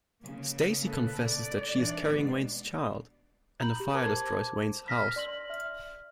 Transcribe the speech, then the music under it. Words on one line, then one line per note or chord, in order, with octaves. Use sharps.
Stacy confesses that she is carrying Wayne's child, and a fire destroys Wayne's house.
C#3 A#3
A4 B4
D5
G#2 E3 D4
B2 G#3 B3
A#5 B5 G6 F#7
G4
A#4 C5 A5 C6 D6 G#6
E6 F6 A#6 B6
D5 C6 F#7
E5 F6